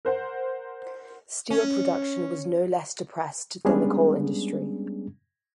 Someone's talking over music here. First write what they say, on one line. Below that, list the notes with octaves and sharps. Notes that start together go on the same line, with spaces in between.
Steel production was no less depressed than the coal industry.
A#4 C5 F#5
C#4
G3 G#3 B3 C#4 D4 G#4